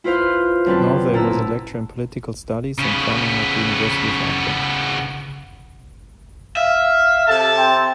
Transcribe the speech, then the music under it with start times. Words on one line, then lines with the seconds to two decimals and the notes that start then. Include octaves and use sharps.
Northey was a lecturer in Political Studies and Planning at the University of Auckland.
0.04 E4 F4 B4 C5 F5
0.66 F#2 D3 C4 B4 A5
1.13 A#2 E4 A5 A#5 E6
2.78 C#3 B3
6.57 E5 F5
7.28 C3 A4 A5
7.57 C4